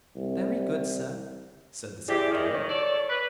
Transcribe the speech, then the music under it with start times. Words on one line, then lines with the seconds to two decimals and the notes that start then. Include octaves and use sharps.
"Very good, sir," said the secretary.
0.16 C2
2.08 C3 E4 G4 G#4 D5
2.31 D#3
2.55 C#5
2.69 A4 D5
3.09 B4